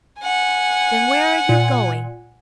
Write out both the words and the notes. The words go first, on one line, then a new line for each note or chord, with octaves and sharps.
"Then where are you going?"
F#5 G#5
A#2